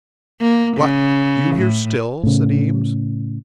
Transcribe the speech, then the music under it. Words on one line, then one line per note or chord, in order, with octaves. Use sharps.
"What! you here still?" said Eames.
A#3
C#3
A2
A2 C#3